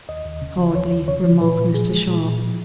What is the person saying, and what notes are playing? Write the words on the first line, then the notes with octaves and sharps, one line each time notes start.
"Hardly," remarked Mr. Sharp.
D#2 D#5
D#2
C#3
F3
D#2 C#5
D#2
C#3 C#5
F3
A#2 B4
A#2
F3 G#4
G#3
A#2
A#2
F3